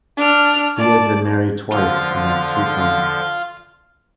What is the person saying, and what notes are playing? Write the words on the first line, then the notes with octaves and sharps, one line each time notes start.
He has been married twice and has two sons.
D4 F6
D5 A5
D3 F3 F4